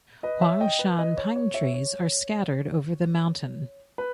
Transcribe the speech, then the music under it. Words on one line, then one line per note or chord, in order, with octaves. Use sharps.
Huangshan pine trees are scattered over the mountain.
B4 D#5
C#5 E5
D#5 G5
B4
B4 D#5
C#5
C#5
C#5 E5
C#5
B4